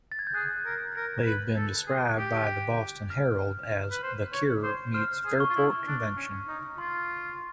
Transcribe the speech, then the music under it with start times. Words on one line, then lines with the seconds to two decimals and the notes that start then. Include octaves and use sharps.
They've been described by the "Boston Herald" as The Cure-meets-Fairport Convention.
0.12 A6
0.19 G#6
0.27 G6
0.34 G#4 F#6
0.65 A#4
0.96 A#4
1.26 B4
1.57 A4
1.87 G#4
2.18 G4
3.10 F6
3.91 B4
4.03 C5
4.33 C#5
4.63 C5
4.94 C5 F6
5.25 G#4
5.40 C#6
5.50 F4
5.55 E4
5.87 D4
6.16 C#4
6.48 D#4
6.78 F4 C6